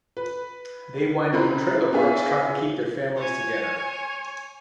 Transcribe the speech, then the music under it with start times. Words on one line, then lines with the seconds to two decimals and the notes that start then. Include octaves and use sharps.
They wind up in trailer parks trying to keep their families together.
0.17 B4
1.33 C#3 C4 E4 C5 A#5 B5
1.92 B3 D4 G#4 E5 F5
3.17 C#5 G#5